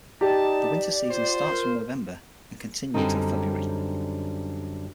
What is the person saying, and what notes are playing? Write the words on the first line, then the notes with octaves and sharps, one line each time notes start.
The winter season starts from November and continue till February.
D#4 G4 D5 A5
F4 C5
A#4
F#2 B2 D3 G3 C4 D#4